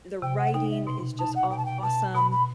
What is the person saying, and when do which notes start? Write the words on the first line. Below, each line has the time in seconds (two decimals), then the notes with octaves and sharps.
the writing is just awesome,
0.22 C3 G5
0.38 F#5
0.54 D#4 G5
0.71 E5
0.86 B2 C6
1.19 D#4 A5
1.35 F#5
1.51 B2 G5
1.58 A5
1.65 G5
1.83 B2 A5
2.15 B2 B5
2.32 B5